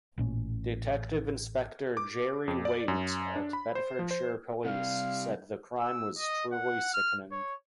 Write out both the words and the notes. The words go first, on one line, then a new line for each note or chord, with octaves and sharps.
Detective Inspector Jerry Waite at Bedfordshire Police said the crime was "truly sickening".
A1 A#2 C#4
D6
F2
D5
F#2
D4
B5
C5
F3
C5
C3 G3 F5
E6
D#5
F#5
F6
C#5